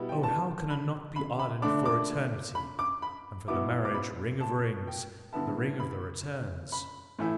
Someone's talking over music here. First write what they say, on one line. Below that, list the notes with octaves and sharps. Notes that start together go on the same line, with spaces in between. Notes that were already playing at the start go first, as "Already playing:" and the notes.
Oh, how could I not be ardent for Eternity, and for the marriage-ring of rings--the ring of the return?
Already playing: B2 G3 B3 E4
G5
A5
B5
B5
B5
D3 A3 D4 D6
D6
B5
D6
B5
B2 B3 E4 D6
D6
B5
A5
G5
G2 D3 B3 E4 A5
B5
B5
A2 E3 A3 E4